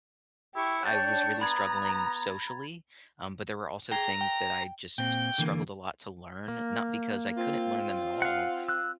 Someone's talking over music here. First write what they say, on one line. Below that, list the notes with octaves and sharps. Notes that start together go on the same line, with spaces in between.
I was really struggling socially. Um, but there were also things that I just struggled a lot to learn, not because I couldn't learn them at all,
E4 G4 C#6
D4 C#5 G5 A6
B3 A#5 B5 G#6
G#4 G5 A#5
G5
A#2 C4 G5
D3 E3 A#3
A#3
C4 F4
F5 F#5
E6 F#6